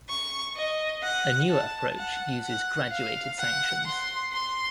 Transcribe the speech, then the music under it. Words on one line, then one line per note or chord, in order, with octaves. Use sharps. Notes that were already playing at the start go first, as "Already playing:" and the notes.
A newer approach uses graduated sanctions.
C#6
D#5
F#5
A5
F#5
F#5
F5
F#5
C6
C6